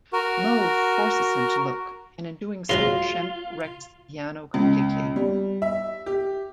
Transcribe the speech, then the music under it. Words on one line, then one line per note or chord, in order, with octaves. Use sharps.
Moe forces him to look, and in doing so Shemp wrecks the piano completely.
F#4 A#4
G#2 F#3 G#3 F4
C#2
G3
E5
G4